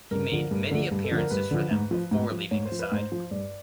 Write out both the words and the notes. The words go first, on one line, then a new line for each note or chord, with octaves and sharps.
He made many appearances for them before leaving the side.
G2 A#4
D3 F3
G2
D3 F3
G2
A4
D3 F3
A#4
G2 B4
D3 F3
G#2
F3
G#2
F3
G#2 C#5
C5
F3
B4
G#2 C5
F3
G2 D5